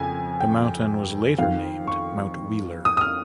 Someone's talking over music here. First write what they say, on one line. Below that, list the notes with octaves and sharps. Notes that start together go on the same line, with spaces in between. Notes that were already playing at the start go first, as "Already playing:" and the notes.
The mountain was later named Mount Wheeler.
Already playing: F2 C#3 G#5
G5
F2 D#3 F5
C#6
D#6
D#6
F6